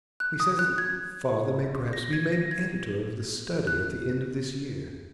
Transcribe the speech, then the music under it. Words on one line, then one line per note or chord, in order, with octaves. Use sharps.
He says that father may perhaps be made editor of The Study at the end of this year.'
F#6
D#6
F#6
G#6
A#6
G#6
A#6
G#6
F#6